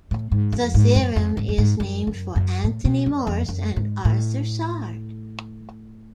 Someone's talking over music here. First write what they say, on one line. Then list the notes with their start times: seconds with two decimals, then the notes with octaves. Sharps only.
The theorem is named for Anthony Morse and Arthur Sard.
0.11 A2
0.32 G#2
0.52 F2
0.74 G#2
0.95 F#2
1.16 F2
1.37 G#2
1.49 F#2
1.58 G#2
1.80 F#2
2.07 F#2
2.36 F#2
2.64 A2
2.85 B2
3.06 F#2
3.27 F2
3.48 F#2
3.76 G#2
4.05 A2